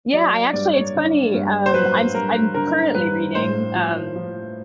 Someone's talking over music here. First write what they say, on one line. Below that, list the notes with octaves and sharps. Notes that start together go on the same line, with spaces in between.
Yeah, I actually it's funny, um, I n s I'm currently reading, um,
F#3 D5
G2 D5
C#5
D3
G2
C5
F#3 B4
G2 A#4
D3 A#4
G2 B4
A2 C5
F3
F3